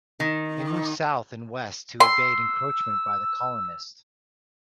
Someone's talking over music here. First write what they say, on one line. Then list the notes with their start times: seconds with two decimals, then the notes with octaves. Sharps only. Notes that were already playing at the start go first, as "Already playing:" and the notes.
They moved south and west to evade encroachment by the colonists.
0.20 D#3 D#4
2.00 C6 E6